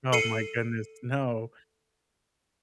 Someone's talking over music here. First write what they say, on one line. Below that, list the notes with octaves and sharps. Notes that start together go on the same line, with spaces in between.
Oh my goodness. No.
A4 C7 C#7 D#7